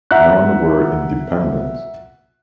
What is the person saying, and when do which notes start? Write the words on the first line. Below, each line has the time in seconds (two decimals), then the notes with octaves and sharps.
None were independent.
0.11 E5 F#5 A#5 F#6